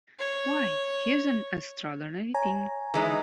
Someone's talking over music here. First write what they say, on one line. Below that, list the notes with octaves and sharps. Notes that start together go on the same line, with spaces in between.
Why, here's an extraordinary thing!
C#5
C#5 G#5 A#5
E3 G#3 D#4